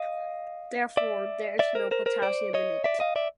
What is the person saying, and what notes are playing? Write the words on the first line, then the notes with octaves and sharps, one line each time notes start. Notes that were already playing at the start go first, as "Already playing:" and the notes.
Therefore, there is no potassium in it.
Already playing: D#5 F5
D5 E5
D5 E5
A#4 C5
A#4 C5
A#4 C5
C5 D5
C#5 D#5
D5 E5
D#5 F5
D5 E5